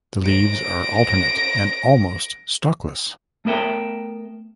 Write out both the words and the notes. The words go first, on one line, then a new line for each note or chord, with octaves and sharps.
The leaves are alternate and almost stalkless.
A#6 D7
A3 B3 A#4 E5 G5